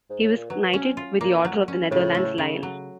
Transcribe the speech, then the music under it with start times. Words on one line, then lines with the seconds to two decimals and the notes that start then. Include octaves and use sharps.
He was Knighted with the Order of the Netherlands Lion.
0.10 G#2
0.23 A2
0.36 A#2
0.50 B2 F#3
0.73 C#4
0.97 F4
1.21 A#2 A#3
1.45 F#3
1.68 C#4
1.91 A2 C#3
2.15 A3
2.38 C#3
2.63 F#3